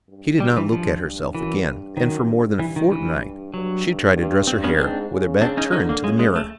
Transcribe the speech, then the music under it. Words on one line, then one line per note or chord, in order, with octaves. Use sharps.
She did not look at herself again, and for more than a fortnight she tried to dress her hair with her back turned to the mirror.
G2
G3
E3
F3
F#2 E3
G2
F#2 D#3
G2
G2 E3
D#3
E3
G2 F#3
G2
G2 C4
B3 C#4
G#2 C4 D4
C#3
C4 D4
C#4 D#4
D3 C#4 D#4
A#3
C#3 G#3
G#3
A3